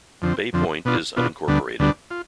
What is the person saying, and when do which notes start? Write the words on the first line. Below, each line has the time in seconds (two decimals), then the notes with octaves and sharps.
Bay Point is unincorporated.
0.22 F2 D3 F3 C4
0.53 F2 D3 F3 C4
0.85 B2 B3 D4 F4
1.16 B2 B3 D4 F4
1.48 D2 D3 G3 B3 D4
1.79 D2 D3 G3 B3 D4
2.11 F4